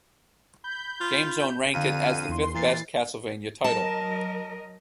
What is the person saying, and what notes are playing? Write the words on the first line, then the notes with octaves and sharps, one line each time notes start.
GameZone ranked it as the fifth best "Castlevania" title.
B5 G6
F4
F2 D3 F5 D#7
E2 C6
A#2 E3 A6 C7
F#3 A#4 D#5 A5